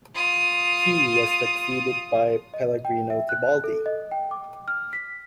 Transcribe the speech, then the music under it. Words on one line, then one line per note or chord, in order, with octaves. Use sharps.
He was succeeded by Pellegrino Tibaldi.
F4 D#6
D#5
G5
E5
F#6
A4
D#5
G5
D6
F6
B6